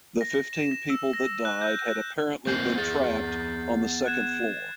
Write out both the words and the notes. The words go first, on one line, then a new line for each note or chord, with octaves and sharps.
The fifteen people that died had apparently been trapped on the second floor.
A#6
E7
A#6
E6
A#6
F#6
G6
F#6
A#3 C4 G#5 G6 C7
B3 G#4 G6 A6
F#6 G#6 E7